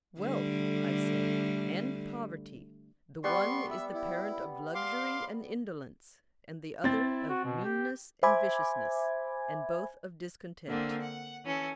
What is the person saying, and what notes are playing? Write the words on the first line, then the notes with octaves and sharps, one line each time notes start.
Wealth, I said, and poverty; the one is the parent of luxury and indolence, and the other of meanness and viciousness, and both of discontent.
D3 G3 A3
G3 B3 F#5 C6 C#6
E5
E4
F5 C6 D6
C4 E4 A6
F#4
B2
G4
C5 E5 G#5 B5 D6 G#6
D3 A#3 C4 D4
F#5
E3 C#4 A4